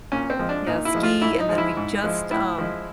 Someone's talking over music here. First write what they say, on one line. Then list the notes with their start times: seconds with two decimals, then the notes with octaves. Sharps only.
Yeah, ski, and then we just, um
0.12 A#2 C#4
0.30 C4
0.39 F3 G#3
0.49 D4
0.66 A#2 D#4
0.85 E4
0.95 F3 G#3
1.03 F4
1.22 G#2 E4
1.40 D#4
1.49 F3 G#3
1.58 E4
1.77 G#2
2.04 F3 G#3
2.31 A2 E4
2.58 F3 G#3